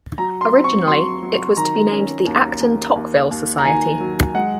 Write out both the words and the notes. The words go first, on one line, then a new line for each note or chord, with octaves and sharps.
Originally, it was to be named the Acton-Tocqueville Society.
F#3 A#5
C6
C4
C#6
F#3 C6
F#3
D#3 A#5
C#4
D#2
D#2
D#2
D#2
A#5
D#3 G#5
F#3
G#3 F#5